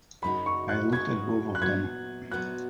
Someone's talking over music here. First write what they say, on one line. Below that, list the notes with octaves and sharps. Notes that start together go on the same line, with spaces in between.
I looked at both of them.
F#2 C#3 G#3 D#4 F#4 B5
C#6
F#6
F#2 C#3 G#3 D#4 F#4 G#6
F#6
A#2 F#3 B3 F#4 G#6
A#2 F#3 B3 F#4 F#6